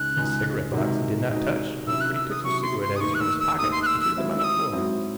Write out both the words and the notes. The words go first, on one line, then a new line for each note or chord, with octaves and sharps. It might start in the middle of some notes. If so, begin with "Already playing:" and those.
The cigarette box he did not touch, but he took some cigarette-ends from his pocket and threw them on the floor.
Already playing: C#2 C#3 G#3 D#4 F#6
C#2 C#3 G#3 D#4
C3 D#3 G#3 D#4 F#4
C3 D#3 G#3 D#4 F#4
C3 D#3 F#3 C#4 E4 E6
F#6
E6
D#6
C3 D#3 F#3 C#4 E4 C#6
C6
C6
D#6
D#2 D#3 A3 D#4 C#6
F#6
E6
E6
D#2 D#3 A3 D#4 D#6
C6
F#6
E6
E6
G#2 F#3 C4 E4
E6
D#6
G#2 F#3 C4 E4